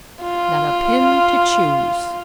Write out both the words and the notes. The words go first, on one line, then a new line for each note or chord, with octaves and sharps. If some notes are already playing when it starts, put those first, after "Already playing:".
Not a Pin to Choose.
F4